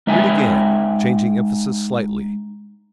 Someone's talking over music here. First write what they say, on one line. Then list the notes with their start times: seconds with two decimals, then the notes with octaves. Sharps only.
Read again, changing emphasis slightly.
0.07 G#3 D#4 E5 G5 G#5